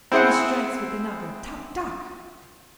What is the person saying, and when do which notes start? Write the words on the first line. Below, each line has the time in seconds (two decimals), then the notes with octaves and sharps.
He strikes with the knocker: 'Toc! toc!'
0.12 C4 E4 G#4 C5 F#5